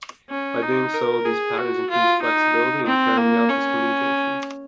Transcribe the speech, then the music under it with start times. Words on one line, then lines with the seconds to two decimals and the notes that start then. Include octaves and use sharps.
By doing so, these patterns increase flexibility in carrying out this communication.
0.30 C#4
0.62 D#4
0.94 A#4
1.25 G#4
1.57 F#4
1.90 F4
2.22 D#4
2.86 C4
3.17 A#3
3.49 C#4